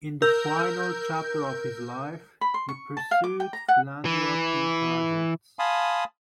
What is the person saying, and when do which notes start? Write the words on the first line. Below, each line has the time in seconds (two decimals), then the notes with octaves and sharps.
In the final chapter of his life, he pursued philanthropy projects.
0.22 A#4 E6 G6
2.41 B5
2.54 C6
2.69 C#6
2.97 A5
3.11 F5
3.24 D6
3.40 G5
3.53 A#5
3.68 F#5
4.05 E3
5.59 F5 G#5 A5 B5 C6 D#6